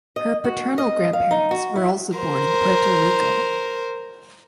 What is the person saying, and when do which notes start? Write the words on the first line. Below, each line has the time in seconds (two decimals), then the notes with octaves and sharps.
Her paternal grandparents were also born in Puerto Rico.
0.16 D#5
0.44 F#4
0.78 D#5
1.13 F5
1.31 D#4
1.51 F#4
1.76 E4
2.18 A#4 C5